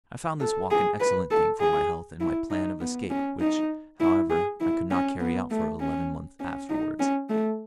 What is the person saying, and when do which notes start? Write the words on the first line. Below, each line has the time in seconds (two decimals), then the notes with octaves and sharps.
I found this walk an excellent thing for my health and my plan of escape, which, however, I could not carry out for eleven months afterwards.
0.40 A4
0.71 G#4
1.00 B4
1.31 A4
1.61 G#4
2.21 E4
2.50 D#4
2.81 B3
3.10 C#4
3.40 D#4
4.00 E4
4.30 G#4
4.60 E4
4.91 C#4
5.19 B3
5.51 A3
5.80 C#4
6.40 C#4
6.70 D#4
6.99 C#4
7.30 A3